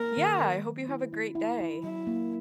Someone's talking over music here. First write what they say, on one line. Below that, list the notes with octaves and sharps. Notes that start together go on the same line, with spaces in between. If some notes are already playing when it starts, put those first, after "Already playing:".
Yeah, I hope you have a great day.
Already playing: A#3 A#4
D#3
D#3
F#3
E4
E4
E4
E4
F#3 E4
A#3